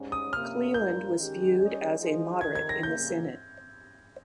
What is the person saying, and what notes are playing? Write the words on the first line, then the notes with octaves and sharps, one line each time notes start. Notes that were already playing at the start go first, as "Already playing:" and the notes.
Cleland was viewed as a moderate in the Senate.
Already playing: G#2 G3 C#4
D#6
C3 F3 A#3 C#4 F6
G2 F3 A#3 F4 A#4 G6
D#3 G#3 C#4 G4
G3 C#4 G#4 D#5
F3 G#3 D#4 G#4 D#5
F2 C3 D#3 G#6
G#6
A#6
C#3 G3 A#3 G6